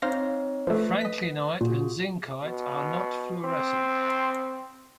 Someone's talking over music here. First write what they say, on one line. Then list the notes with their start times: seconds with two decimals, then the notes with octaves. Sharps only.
Franklinite and zincite are not fluorescent.
0.02 C4 D#4 C5 C#5 F5 A#6
0.67 F3 A3 B4
1.01 D#5 B6
1.61 A#2 F4 F#4 G#4
2.44 B2
3.45 C4